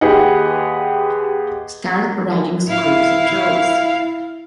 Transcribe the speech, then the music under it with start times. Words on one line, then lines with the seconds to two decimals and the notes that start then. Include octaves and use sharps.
Start writing scripts and jokes.
0.01 D#2 G4 G#4 B4 D#5 F#5
2.68 E4 F5